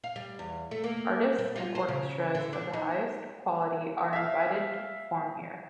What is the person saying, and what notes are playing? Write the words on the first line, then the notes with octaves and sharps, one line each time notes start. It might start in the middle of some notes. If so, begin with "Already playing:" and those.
Artists and orchestras of the highest quality are invited to perform here.
F5
G3
E2
A3
A#3
G3
F4
C5
C#3
D3
D4
D#4
E5 F5